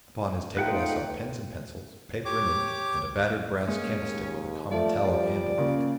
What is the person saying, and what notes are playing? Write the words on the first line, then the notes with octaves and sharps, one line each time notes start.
Upon his table I saw pens and pencils, paper and ink, and a battered brass candlestick with a common tallow candle in it.
A3 D#4 F4 B4 F#5 G5
G4 C#5 D6
G#3 A#3 C#4
D#2
F3 A3 D5
F3 G3 D5
C#3 A#3 F4